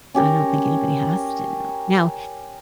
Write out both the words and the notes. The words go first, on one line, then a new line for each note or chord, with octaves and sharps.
I don't think anybody has to know. Now,
C#4 G4 A#4